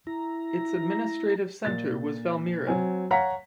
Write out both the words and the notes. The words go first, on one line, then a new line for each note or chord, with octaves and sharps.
Its administrative center was Valmiera.
E4 A#5
A#2 A6
F#3 C4 G#5
C#5 F5 F#5 A#5 B6